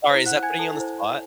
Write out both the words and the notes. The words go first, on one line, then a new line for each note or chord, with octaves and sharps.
Sorry, is that putting you on the spot?
E4 C5
F#5 F#6
G#5 G#6
A4 A5
E4
C5